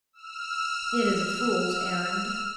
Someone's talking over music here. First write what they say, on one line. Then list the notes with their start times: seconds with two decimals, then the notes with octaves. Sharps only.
"It is a fool's errand."
0.13 E6 F6